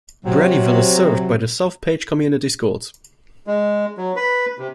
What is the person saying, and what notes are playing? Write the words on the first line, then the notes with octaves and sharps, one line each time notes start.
Braddyville is served by the South Page Community Schools.
C3 F#3
G#3
F#3
B4
C3